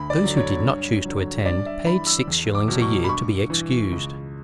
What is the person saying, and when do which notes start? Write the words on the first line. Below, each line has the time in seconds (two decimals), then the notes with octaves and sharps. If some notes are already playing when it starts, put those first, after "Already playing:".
Those who did not choose to attend paid six shillings a year to be excused.
Already playing: D2 B5
0.10 D5
0.24 D3 F#3
0.37 C#5
0.64 G2
1.05 D3 F#3
1.46 G2 D5
1.66 E5
1.86 E3 B5
2.07 E6
2.27 E2
2.55 D6
2.68 B2 F#3
2.82 C#6
3.04 B5
3.09 G2 C#6
3.50 E3
3.91 C#2